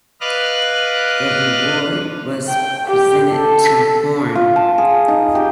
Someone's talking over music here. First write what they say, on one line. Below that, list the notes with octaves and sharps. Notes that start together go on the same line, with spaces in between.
The award was presented to Horne.
B4 D5 D#5 F5 F6 F#6
G5
G4
A4
F4
A5
G#4
D#4
G4